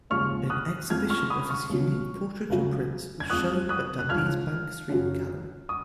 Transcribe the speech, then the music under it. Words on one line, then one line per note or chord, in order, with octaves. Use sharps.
An exhibition of his unique portraiture prints was shown at Dundee's Bank Street Gallery.
D#2 C#3 F3 G#3 C#6 F6
D#6 F#6
F2 F3 G#3 F6 G#6
C#6 F6
B5 D#6
C#6 F6
C#2 B2 F#3
C#2 C#3 F#3
G#6
F2 F3 G#3 D#6 F#6
D#6 F#6
F#6
C#2 C#3 F3 F6 G#6
F#2 C#3 F#3
D#6